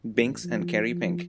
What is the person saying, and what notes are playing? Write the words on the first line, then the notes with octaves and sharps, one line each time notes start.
Binks and Kerry Pink.
A1
F3
F3